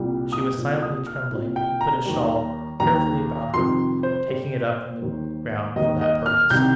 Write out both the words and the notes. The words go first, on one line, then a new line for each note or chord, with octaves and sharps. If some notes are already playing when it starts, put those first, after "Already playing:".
As she was silently trembling, he put her shawl carefully about her, taking it up from the ground for that purpose.
Already playing: C2 A#2 G3
D#6
C2 A#2 G3
D#6
F6
C2 A#2 G3
G5
A#5
D#2 D#3 G3
D#2 D#3 G3 A#5
F2 C3 D#3 G3 C6
C5
G2 G3
D#2 D#3 G3
D#2 D#3 G3 D#5
D#5
F6
C2 C3 D#3 G3 G6